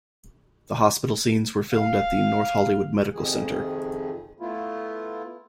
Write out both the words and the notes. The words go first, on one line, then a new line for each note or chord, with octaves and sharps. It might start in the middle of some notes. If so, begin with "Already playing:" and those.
The hospital scenes were filmed at the North Hollywood Medical Center.
F5
F2 C3 D#3 F3 G#4
A3 B3 E4 F4